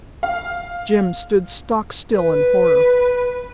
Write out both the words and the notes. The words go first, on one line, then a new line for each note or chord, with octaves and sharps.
Jim stood stock still in horror.
F5
B4